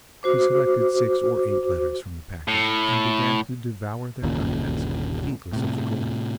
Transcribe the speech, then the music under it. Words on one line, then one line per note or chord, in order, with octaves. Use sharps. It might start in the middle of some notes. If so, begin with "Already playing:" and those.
She selected six or eight letters from the package and began to devour their contents, heedless of the cold.
F#4 C5 D6
A2
G1 D#2 A#2 C#3
A2 C3